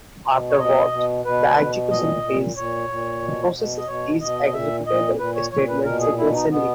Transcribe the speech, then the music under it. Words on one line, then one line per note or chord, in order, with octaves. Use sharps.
Afterwards, the execution phase processes each executable statement sequentially.
B2
C#5
B2 D#5
B2
B2 B4
B2
A#2 D#5
A#2
A#2 C#5
A#2
B2
B2
D#5
B2 C#5
B2 D#5
D#5
A#2 E5
A#2 D#5
A#2 B4
C#5
A#2 C#5
B4
B2 A#4
G#4
B2 E4
D#4
B2 B3